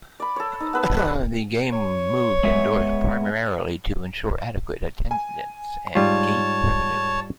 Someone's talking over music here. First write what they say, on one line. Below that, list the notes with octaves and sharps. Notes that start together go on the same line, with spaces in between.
The game was moved indoors primarily to ensure adequate attendance and gate revenue.
D5 B5
A4 C#5
D#4
B3 B4 E6
C#5
G#3 B3 E5
G#5
G#2 G3 F4 C#5 A5